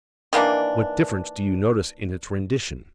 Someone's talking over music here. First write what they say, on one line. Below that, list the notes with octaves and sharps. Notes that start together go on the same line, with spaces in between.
What difference do you notice in its rendition?
D#3 E3 A#3 D4